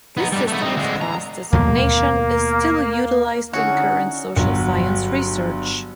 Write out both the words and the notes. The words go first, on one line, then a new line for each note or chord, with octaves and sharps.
This system of class designation is still utilized in current social science research.
B3 D#4
G3 D4
A3 B3
C4 D#4
D3 G#3
A#5
D#2 B2 A3 A#3
D3 C#4 D#4 E4 F#4 G#4 F#5
G1 F#3